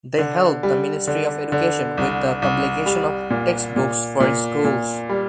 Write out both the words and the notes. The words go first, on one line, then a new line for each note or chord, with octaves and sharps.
They helped the Ministry of Education with the publication of text books for schools.
D3
G3
D3
D3
C2
C2
G3
A#2
A#2
A#2
A#2
G3